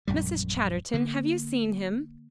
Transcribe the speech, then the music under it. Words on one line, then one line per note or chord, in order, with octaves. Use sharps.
"Mrs. Chatterton, have you seen him?"
A#1 F#2 G3
D3 A#3